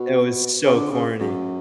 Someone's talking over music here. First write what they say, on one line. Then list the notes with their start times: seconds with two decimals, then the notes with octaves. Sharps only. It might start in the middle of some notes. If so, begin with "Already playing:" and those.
It was so corny.
Already playing: B2
0.65 C#3
0.75 D3
0.90 C#3
1.20 F#2